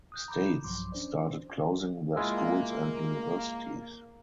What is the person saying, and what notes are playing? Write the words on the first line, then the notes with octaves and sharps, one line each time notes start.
States started closing their schools and universities.
D#6 F#6 G6
A#5 B5 D6 G6
B1 G2 F3 F#3 C6 D6
C#4 D4 C5 D5
G#3 A#3 E4 F4